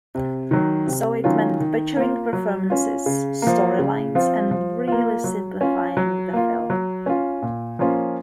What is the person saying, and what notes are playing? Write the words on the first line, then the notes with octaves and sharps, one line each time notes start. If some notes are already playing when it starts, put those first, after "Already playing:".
So it meant butchering performances, storylines, and really simplifying the film.
C3
D#3 F#3
C3
D#3 F#3 C#4 F4
D#3
A#3 F4
F#3
C#4 F4
C#3
F3 A#3
C#3
F3 C4 F4
F3
A#3 F4
F#3
C#4 F4
F#3
A#3 F4
F#3
C#4 F4
A#2
F3 A#3 C#4 F4